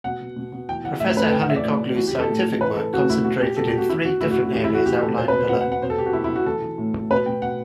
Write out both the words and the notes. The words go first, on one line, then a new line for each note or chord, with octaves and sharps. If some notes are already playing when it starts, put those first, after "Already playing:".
Professor Hanukoglu's scientific work concentrated in three different areas outlined below.
B2 F#5
B2
B2
B2
E3 G5
E3 F#5
A2 E5
C5
A2 B4
A4
E3 G5
F#5
E3 E5
D5
A2
A2
E3 F#4
G4
E3
A4
A2
A2
E3 B4
E3 A4
A2 F#4
A2 E4
B2 F#4
B2 G4
B2 A4
G4
B2
F#4
E3 E4
E3 F#4
A2 E4
F#4
A2
F#4
E3 G4
E4
E3
F#4
A2 G4
A2 A4
B2 C5
B4
B2
C5
B2 F#5
F#5
B2
F#5
B2 C5
A4
B2 G4
F#4
B2 E4
E4
B2
F#4
E3 A4
E3
A2
A2
B2 B4
B2 G5
B2 F#5